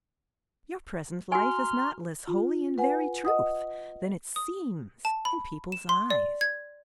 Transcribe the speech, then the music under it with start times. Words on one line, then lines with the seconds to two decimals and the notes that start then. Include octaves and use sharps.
Your present life is not less holy, in very truth, than it seems in people's eyes.
1.32 F#4 G#5 A#5 C6 F6
2.28 F4
2.78 B4 F#5 G#5
3.25 D#5 F#5 D#6
4.36 D#6
5.05 A5
5.25 B5
5.72 E7
5.89 C6
6.10 D5
6.41 G#6